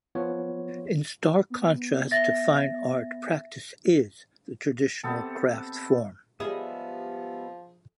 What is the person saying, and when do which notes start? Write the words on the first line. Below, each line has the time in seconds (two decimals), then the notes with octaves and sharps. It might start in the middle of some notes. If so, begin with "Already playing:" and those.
In stark contrast to fine art practice is the traditional craft form.
0.15 F3 B3 F4 C#5
1.50 B3
2.11 E5 A6 A#6
5.04 C3 B3 A4
6.40 F3 G3 G#3 B3 G#4 D#5 E5